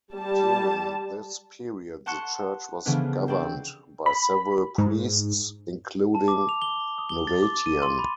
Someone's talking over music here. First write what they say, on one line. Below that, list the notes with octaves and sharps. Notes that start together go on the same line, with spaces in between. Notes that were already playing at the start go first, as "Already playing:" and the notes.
During this period the church was governed by several priests, including Novatian.
G3 A5
F#5 A5 C6 C#6 F#6 C#7
C#3 E3 F3 B3 D4
C4 F#4 D5
B5
G#2
A5
D6
F7
G7
D#6
G7
A6
D6
D#7
C6
B5